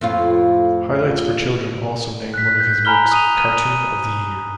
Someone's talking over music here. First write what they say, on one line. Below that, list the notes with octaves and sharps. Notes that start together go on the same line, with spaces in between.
Highlights for Children also named one of his works "Cartoon of the Year".
F2 A2 F4
F#6 B6
G6
G#5 A#5 B5 F6 G7
D#6 D#7 F7
D#7